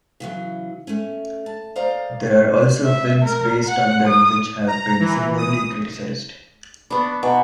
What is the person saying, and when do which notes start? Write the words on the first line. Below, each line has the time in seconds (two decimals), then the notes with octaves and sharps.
There are also films based on them which have been similarly criticized.
0.20 C#3 E3 F#3
0.87 A3 C#4
1.46 A5
1.76 A#3 C5 D5 D#5 F5 A#5
2.84 E5
3.22 A#4
3.66 F#5
4.07 D#6
4.67 A#5
5.00 E3
5.37 D#6
6.90 B3 D4 B5 C#6
7.23 B2 F#5 G#5 A#5